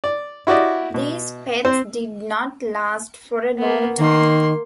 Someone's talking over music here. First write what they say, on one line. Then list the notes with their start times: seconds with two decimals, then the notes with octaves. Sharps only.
These pets did not last for a long time.
0.04 D5
0.47 E4 F#4 G4 D5 D#5
0.94 B2
1.65 C4 C5
3.58 A#3 B3
3.98 D#3 A#3 C6